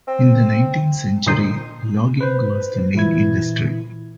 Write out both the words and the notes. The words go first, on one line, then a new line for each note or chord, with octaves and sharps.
In the nineteenth-century logging was the main industry.
C4
A#2 D3 D#4 C5 C6 D#6
B4 C5
A#2 E3 E4 G#6